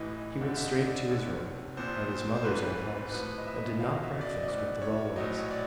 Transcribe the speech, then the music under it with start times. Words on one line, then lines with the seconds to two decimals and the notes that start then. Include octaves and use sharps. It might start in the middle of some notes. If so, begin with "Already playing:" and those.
He went straight to his room, at his mother's old house, and did not breakfast with the Rowlands.
Already playing: A1 A2 E3 D#5
0.41 E1 D#2 D3
0.56 E5
0.64 D#5
0.86 D5
1.09 F1 D#2 D#3 C#5
1.77 A#1 A#2 F3 C5
2.11 C5
2.35 C5
2.45 G#1 G#2 E3 B4
3.12 A1 A2 F3 B4
3.38 D#5
3.46 E5
3.80 E2 B2 F#3 F5
3.95 D#5
4.03 E5
4.21 D5
4.25 D#5
4.44 D#5
4.48 A#1 A2 F#3 D5
4.82 C#5
5.16 A#1 A2 F#3 D#5
5.38 C#5
5.51 D5